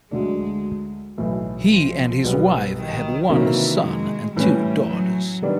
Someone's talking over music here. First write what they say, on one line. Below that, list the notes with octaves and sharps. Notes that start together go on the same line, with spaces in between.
He and his wife have one son and two daughters.
D2 D3 F#3 G#3 A3 D4
B1 A2 E3 A3
F3
B1 B2 G3 B3
D#3
C3 D#3 E3 F#3 A#3 C#4
G#3
A2 E3 G3 A3 C#4
F#3
D#3 G3 B3 D4